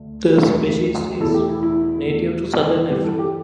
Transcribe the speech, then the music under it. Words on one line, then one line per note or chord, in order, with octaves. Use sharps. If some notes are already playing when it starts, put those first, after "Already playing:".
The species is native to Southern Africa.
Already playing: D2 D3
E1 D2 D3 G3 E4
E2 B2 A3 E4 A4
G4
E4
E4
E2 B2 A3
G2 E3 G3 G4
E4 A4
G4